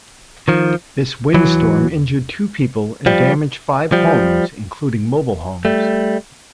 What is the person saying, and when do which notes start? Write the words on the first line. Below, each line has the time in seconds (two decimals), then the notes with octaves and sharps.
This windstorm injured two people and damaged five homes including mobile homes.
0.48 D#3 F3
1.34 E3 F#3
3.06 F3 G3
3.92 F3 G3
5.65 G3 A3